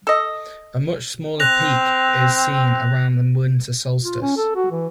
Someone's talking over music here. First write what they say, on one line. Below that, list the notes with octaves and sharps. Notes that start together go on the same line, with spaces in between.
A much smaller peak is seen around the winter solstice.
A4 D#5
C4 F#6 A#6 F7
F4
C#4
A4
F#4
E3